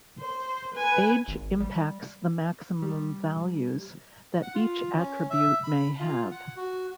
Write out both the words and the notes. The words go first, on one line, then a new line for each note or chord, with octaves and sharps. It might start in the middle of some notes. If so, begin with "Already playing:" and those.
Age impacts the maximum values that each attribute may have.
C5
B4 G#5
G#1
G3
G3
F#5
F4
C#4
E5
B5
F4
F#5
F#4